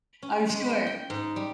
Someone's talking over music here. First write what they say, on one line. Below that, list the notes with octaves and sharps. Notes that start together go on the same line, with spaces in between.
I'm sure.
C#4
G#3
G5
G5
G#2
G3